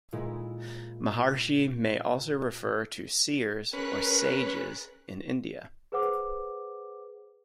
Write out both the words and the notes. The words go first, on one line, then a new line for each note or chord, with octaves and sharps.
"Maharshi" may also refer to "seers" or "sages" in India.
A#2 G#3 E4
C#4 G#4 A#4 B4 F#6
G#4 B4 C5 F#5 D6